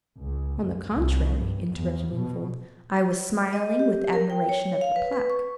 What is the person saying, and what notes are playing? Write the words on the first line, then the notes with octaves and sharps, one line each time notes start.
"On the contrary," interrupted Wingfold, "I was smiling with admiration of your pluck."
C#2
F#2
C2
G2
E2
B2
D#5
G4
A#4
G5
C#5
F5
B4
B4
C#6